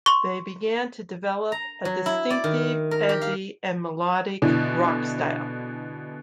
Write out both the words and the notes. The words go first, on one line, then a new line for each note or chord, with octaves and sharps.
They began to develop a distinctive, edgy and melodic rock style.
C6 C#6
A#5
F#3
E4
D5
D#3
A#4
G4
F5
B2 D3 E3